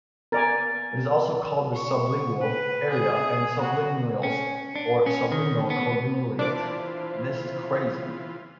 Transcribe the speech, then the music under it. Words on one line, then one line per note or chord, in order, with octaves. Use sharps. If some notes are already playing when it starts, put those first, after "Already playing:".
It is also called the subgenual area, area subgenualis or subgenual cingulate.
B3 A#4 D5 G#5 A6
C#6
B4
G#4
F#4
C#4
D4
C#4
D#3
B3
E3 D4 F4 C5 D6